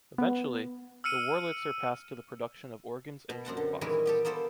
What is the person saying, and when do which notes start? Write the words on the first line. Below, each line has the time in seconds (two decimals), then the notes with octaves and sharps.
Eventually, the Wurlitzer passed to the production of organs and jukeboxes.
0.18 B3
1.04 E6 F6 C#7 D#7
3.29 B2
3.45 F#2 C4 F#5 A5
3.57 D3
3.81 A#2 D#3 E3 G3 G#3 E4
4.06 B3 G4 A4
4.25 A#3 B3 A4 C5 G5